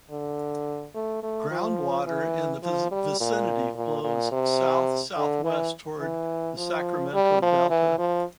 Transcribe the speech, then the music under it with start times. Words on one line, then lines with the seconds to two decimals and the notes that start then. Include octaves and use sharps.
Groundwater in the vicinity flows south-southwest toward the Sacramento Delta.
0.11 D3
0.95 A3
1.23 A3
1.51 F3
2.07 E3
2.63 F3
2.91 G3
3.20 A#2
3.76 A#2
4.04 A#2
4.32 C3
5.17 D3
5.44 E3
6.01 E3
6.57 F3
7.13 G3
7.42 F3
7.70 E3
7.98 F3